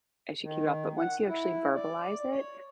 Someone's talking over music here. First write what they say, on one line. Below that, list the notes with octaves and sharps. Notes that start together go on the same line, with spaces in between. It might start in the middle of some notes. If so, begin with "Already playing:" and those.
I should keep it up, but once you actually verbalize it,
D#3
F#5
E4
D5
C#5